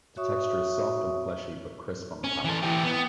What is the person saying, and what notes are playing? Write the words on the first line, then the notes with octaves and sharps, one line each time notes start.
The texture is soft and fleshy, but crisp on the palate.
F#4 C#5 E5 C#6 D#6
C#4
E3 A4
E3 G4
B3